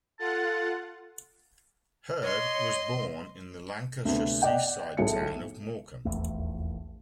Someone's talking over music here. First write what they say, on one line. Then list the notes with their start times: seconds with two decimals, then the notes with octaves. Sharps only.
Hird was born in the Lancashire seaside town of Morecambe.
0.19 F4 A4 F#5 A5
2.22 C#5 D#5 C6
4.05 D2 C3 B3
4.42 D5 D#5 F#5 G5
4.97 B1 A2 A3 G#4 E5 C#7
6.05 D#1 A#1 E2 A3